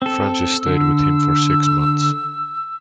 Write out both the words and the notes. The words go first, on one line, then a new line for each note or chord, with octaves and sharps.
Francis stayed with him for six months.
C4 A4 E6
D3